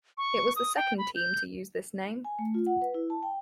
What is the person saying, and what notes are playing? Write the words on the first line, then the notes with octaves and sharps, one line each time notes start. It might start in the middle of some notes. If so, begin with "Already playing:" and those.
It was the second team to use this name.
C#6
D#6
G5
B5
G6
G#5
A3
F4
F#5
B4
E4
A5
G5